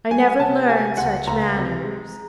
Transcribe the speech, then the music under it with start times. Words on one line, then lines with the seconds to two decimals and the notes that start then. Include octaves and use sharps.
I never learned such manners.
0.11 G3 G#5
0.39 C3 A5
0.68 C3 G#5
0.97 C#2 F#5
1.27 C#2 A#5
1.56 C3
1.84 G#3